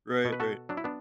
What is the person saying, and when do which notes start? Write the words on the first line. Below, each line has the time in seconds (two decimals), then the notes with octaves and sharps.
Right, right.
0.25 B2
0.32 B4
0.40 F#4 A4
0.69 F#3 D4
0.77 E4
0.84 B3 D4